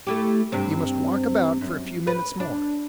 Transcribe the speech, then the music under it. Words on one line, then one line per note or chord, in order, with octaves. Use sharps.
You must walk about for a few minutes more.
A3 E4 G4
G2 C3 C4
F#2
B4
D4